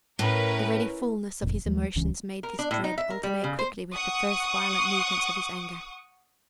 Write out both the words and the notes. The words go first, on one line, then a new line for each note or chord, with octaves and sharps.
The ready fulness of his emotions made this dread alternate quickly with the first violent movements of his anger.
A2 C#4 A#4 B4
F#1 F2 A#2
D#2 F3 G#3
D1 C#2 E3 C#4
A#4
D4
A2
D#4
E5
A#4
G3
C#3
C5
F#5 C#6 D#6